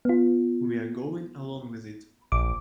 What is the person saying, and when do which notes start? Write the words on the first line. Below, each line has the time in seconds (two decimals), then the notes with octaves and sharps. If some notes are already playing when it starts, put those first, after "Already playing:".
We are going along with it.
0.05 B3 F4
2.32 A#1 D6